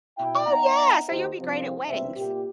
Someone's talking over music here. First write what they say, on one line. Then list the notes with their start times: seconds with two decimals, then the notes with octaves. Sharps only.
Oh yeah, so you'll be great at weddings.
0.18 B2 E4 E5 G5
0.46 B3 D#4 E5 F#5 A#5
1.09 D#2 D#4 F#4 G4 C5
1.40 C2 F3 C4
1.87 C#2 G2 C3 C4 E5
2.16 A#2 G4